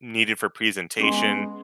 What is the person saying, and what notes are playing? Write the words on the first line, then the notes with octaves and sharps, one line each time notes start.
needed for presentation,
G#3 B3 C#4 G#4 C6